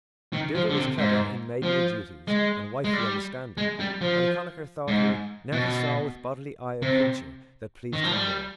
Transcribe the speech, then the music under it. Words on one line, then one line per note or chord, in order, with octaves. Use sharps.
Deirdre was clever in maidenly duties and wifely understanding, and Connachar thought he never saw with bodily eye a creature that pleased him more.
D#3
F3
D3
C3
G#2
F3
G#3
G#3
G3
G#3
G3
F3
G#2
B2
C3
D#3
F3
G3